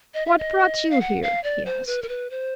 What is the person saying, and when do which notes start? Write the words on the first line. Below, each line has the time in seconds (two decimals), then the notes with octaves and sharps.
"What brought you here?" he asked.
0.14 D#5
0.26 E5
0.38 D#5
0.90 F5
1.01 F#5
1.23 F5
1.44 D5
1.66 C5
1.87 B4
2.02 A#4
2.09 B4
2.31 C5